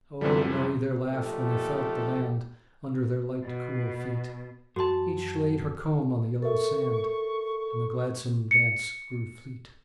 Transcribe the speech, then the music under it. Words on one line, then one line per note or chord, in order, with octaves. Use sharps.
O merry their laugh when they felt the land Under their light cool feet! Each laid her comb on the yellow sand, And the gladsome dance grew fleet.
F#2 C3 E3 F3 G3
A#2 F3 A3 D#4 G4 A4
B2
F#2 F#4 A5 C6
A4 A#4 E5 C#6
C#7